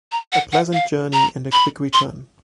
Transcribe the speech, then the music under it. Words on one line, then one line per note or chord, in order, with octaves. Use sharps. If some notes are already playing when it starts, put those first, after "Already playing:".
A pleasant journey and a quick return.
A#5
F#5
F#5
F5
A#5
B5
C6